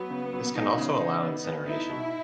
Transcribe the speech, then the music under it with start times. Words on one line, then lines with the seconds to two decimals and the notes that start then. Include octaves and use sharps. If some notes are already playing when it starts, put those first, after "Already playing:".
This can also allow incineration.
Already playing: F#3 B3
0.10 C#3
0.33 F#3
0.55 D#4
0.78 C#3
1.00 D#4
1.22 B3
1.44 B3
1.67 D#4 E4
1.89 B2